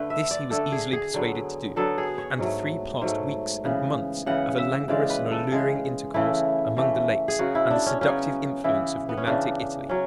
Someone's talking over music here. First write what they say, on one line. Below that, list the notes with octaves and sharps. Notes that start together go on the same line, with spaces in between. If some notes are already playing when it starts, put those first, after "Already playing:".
This he was easily persuaded to do; and the three passed weeks and months of a languorous and alluring intercourse among the lakes and the seductive influence of romantic Italy.
Already playing: D3 A3 B4
E5
D5
D3 A3 A4
G#4
G#4
D3 F#3 B3
D3 F#3 B3 A4
G#4
C#5
G#2 F#3 A3
G#2 F#3 A3
C#3 E3 B3
C#3 E3 B3 F#5
E5
C#3 E3 G#3 D5
B4
A4
C#3 E3 G#3 G#4
C#3 E3 A3 E4
C#3 E3 A3
G#4
C#3 F#3 B3 F#4
E4
D4
C#4
C#3 F#3 B3 C#4
C#3 E3 B3 E4
B3
C#4
C#3 E3 B3 D4
F#3 C#4